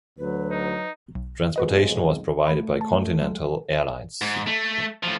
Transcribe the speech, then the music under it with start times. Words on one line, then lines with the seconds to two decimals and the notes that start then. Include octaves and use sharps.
Transportation was provided by Continental Airlines.
0.18 D2 F#3 B4
0.51 D#4
1.15 B1
1.56 B1 F2 G#3 F#4 B4 D#5
2.47 A3 B5
2.81 A5
3.22 F#3 G#3
4.22 G#2
4.47 A3
5.03 A2 F3